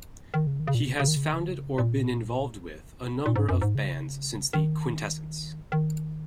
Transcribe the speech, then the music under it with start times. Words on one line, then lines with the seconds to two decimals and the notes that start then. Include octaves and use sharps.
He has founded or been involved with a number of bands since The Quintessence.
0.34 D#3
0.47 C#3
0.60 D#3
0.67 C#3
0.75 A#2
0.82 C#3
0.99 C#3
1.08 D#3
1.16 C#3
1.25 D#3
1.33 C#3
1.41 D#3
1.49 C#3
1.78 A#2
3.26 A#2
3.36 G#2
3.49 F#2
3.62 G#2
3.75 C#3
4.53 D#3
5.72 D#3